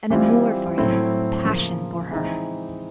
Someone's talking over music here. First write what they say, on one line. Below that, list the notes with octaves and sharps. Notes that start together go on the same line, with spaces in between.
An amour for him; passion for her.
E3 G3 C4 F4
A2 F#3 A3 C4 E4
C#3 F3 A#3
E3 G#3 C4 D#4